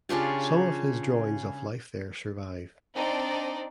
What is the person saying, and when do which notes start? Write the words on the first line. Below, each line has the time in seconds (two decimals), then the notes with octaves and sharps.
Some of his drawings of life there survive.
0.09 C#3 D4 F4 G4
2.94 C4 D4 D#4 D5